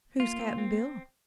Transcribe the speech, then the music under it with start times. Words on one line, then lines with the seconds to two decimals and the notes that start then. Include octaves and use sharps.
"Who's Cap'n Bill?"
0.20 A#3 F4
0.39 C4
0.58 C4